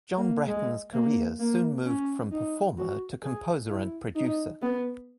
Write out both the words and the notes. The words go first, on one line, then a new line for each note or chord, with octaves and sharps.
John Bratton's career soon moved from performer to composer and producer.
A#3
G#3
A#3
A#3
C#4
D#4
F#4
G#4
E4
D#4
B3